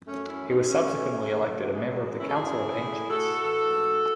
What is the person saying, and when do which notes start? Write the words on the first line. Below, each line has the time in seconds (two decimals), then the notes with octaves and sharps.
He was subsequently elected a member of the Council of Ancients.
0.07 F#2 A3 C#4
0.27 C#4 E4
0.38 E3
0.48 C4 D#4
0.68 E3 A3 C#4
0.98 E3
1.29 C#3 A3 C#4
1.43 F#3 A3
1.60 E3 F#3
1.74 G#3
1.89 F#2 F#3
2.05 G#3
2.19 C#3 C#4 E4
2.29 A4
2.35 E4 G#4
2.50 E3
2.80 A2
3.10 A2 F#4 A4
3.41 E3
3.72 G#2